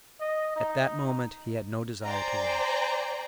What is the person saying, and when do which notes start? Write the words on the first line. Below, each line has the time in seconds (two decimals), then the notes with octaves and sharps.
At that moment he had no desire to live.
0.20 D#5
0.56 D#4
2.03 C5 D5 G5 G#5 A#5